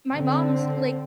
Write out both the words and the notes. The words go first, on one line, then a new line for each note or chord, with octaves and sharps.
my mom's, like,
D3 C4